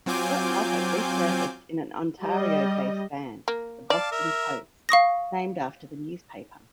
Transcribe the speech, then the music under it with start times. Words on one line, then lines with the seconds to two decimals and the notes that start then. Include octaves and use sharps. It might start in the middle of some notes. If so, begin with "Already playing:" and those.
Scott Moffatt resurfaced in an Ontario-based band The Boston Post, named after the newspaper.
0.06 F#3 C4 F4 G#5 D6 G6
2.22 G3 D#5
3.48 A#3
3.90 D5 F5 A5 D6
4.12 A#4 E5
4.89 F5 C#6 D#6 A#6